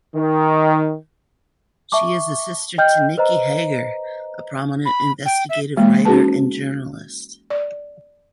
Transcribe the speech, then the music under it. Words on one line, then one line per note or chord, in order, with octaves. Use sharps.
She is a sister to Nicky Hager, a prominent investigative writer and journalist.
D#3
E5 A5 C#6 D6
D#5 G5 F6 G6
B4 C5 D#5 A#5
B5
G5
E5
E3 G#3 A#3
C#4 D#4 F#4 G#4 B4 A5
D5